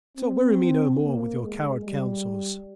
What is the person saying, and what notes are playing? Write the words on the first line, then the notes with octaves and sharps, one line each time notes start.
So weary me no more with your coward counsels.
C4
A#3
G#3
G3